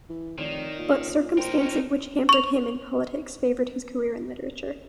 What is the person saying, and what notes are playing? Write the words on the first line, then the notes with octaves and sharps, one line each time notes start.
But circumstances which hampered him in politics favoured his career in literature.
E3
F1 D#3 C#5 D5 C7
A#2
G3 A#4 C5 G5 C6
C#4 D#4
C#6 F7